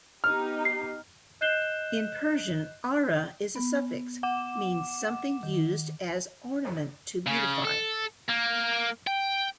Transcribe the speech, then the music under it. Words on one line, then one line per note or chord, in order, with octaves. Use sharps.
In Persian "ara" is a suffix means something used as ornament to beautify.
B3 D#4 G4 F6
C7
D#5 F#6 G6 C7 E7 G7
B3
F#5 D6 E7
D#3
C#3
A4
A#3
G5